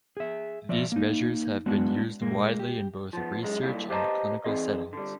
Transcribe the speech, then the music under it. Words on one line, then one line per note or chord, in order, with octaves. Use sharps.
These measures have been used widely in both research and clinical settings.
G#4 E5
F3 D5 E5
A#3 D#4
G#3 B3 D4 F#4
A#2 G#3 A#3
G4
F3 B3
F#2 G#3
G2 A#2 E4
G4 B4 C5 D#5 A5 A#5
E3 C4 G#4 D#5
D3 G3